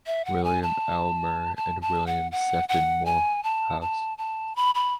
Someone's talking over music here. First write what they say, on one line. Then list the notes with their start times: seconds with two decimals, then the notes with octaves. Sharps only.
William Aylmer and William Sefton Moorhouse.
0.07 E5
0.25 F#5
0.44 G#5
0.62 A5
1.56 A5
1.82 A5
2.07 F#5
2.32 F#5
2.69 F#5
3.06 G#5
3.43 A5
3.81 A5
4.18 A5
4.56 B5
4.75 B5